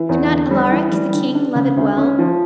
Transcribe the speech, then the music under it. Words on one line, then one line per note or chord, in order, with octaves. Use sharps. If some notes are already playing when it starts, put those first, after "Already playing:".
Did not Alaric the king love it well?
Already playing: E3
E2
D3
G3
E3
G3
D3
D4
C#3
D2
C#4
F3